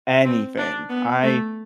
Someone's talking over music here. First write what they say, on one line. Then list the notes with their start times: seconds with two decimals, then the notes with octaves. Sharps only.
anything. I
0.25 C4
0.58 D4
0.90 B3
1.23 A3